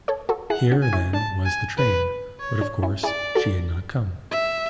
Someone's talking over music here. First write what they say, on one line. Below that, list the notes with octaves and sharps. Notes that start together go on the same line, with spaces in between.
Here, then, was the train, but of course she had not come.
A4 C#5
F#4 A4
E4 G#4 F#5
D4 F#4
G#5
C#4 E4
D4 A5
G#5
B4
C#5
D4
C#4 E4
E4 G#4 D5
F#4 A4
E5